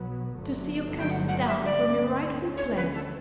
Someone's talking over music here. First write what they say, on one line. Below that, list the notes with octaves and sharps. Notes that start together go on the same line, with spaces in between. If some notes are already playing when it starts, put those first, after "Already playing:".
To see you cast down from your rightful place!
Already playing: B1 B2 F#3 B3
G1 G2 D3 F#3 A3
G5
F#5
F#5
E5
D5
D2 D3 A3 C#4
C#5
B4
A4